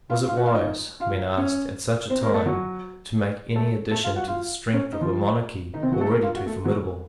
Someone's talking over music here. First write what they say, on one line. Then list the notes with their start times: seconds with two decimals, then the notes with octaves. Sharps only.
Was it wise, men asked, at such a time, to make any addition to the strength of a monarchy already too formidable?
0.09 F4 F5
0.27 F4 F5
0.37 F#4 F#5
0.46 F4 F5
0.55 D#4 D#5
1.00 F4 F5
1.37 C#4 C#5
2.10 C4 C5
2.21 A#3 A#4
2.34 A3 A4
2.46 F#3 F#4
3.55 A3 A4
3.91 A3 A4
4.03 F4 F5
4.16 F#4 F#5
4.28 F4 F5
4.73 C#4 C#5
4.92 D#4 D#5
5.01 F3 F4
5.73 D#3 D#4
5.82 C3 C4
5.92 F#3 F#4
6.00 A3 A4
6.10 A#3 A#4
6.22 F4 F5
6.35 F#4 F#5
6.46 A3 A4
6.64 F#3 F#4